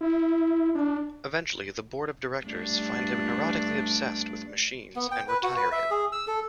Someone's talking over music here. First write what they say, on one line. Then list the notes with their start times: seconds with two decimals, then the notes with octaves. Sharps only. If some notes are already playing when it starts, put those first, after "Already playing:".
Eventually, the board of directors find him neurotically obsessed with machines and retire him.
0.01 E4
0.75 D4
2.44 G2 A3 D4
4.96 B3
5.11 G5
5.28 B4
5.43 F#4
5.57 B4
5.72 E5
5.91 G#4
6.12 E6
6.27 A4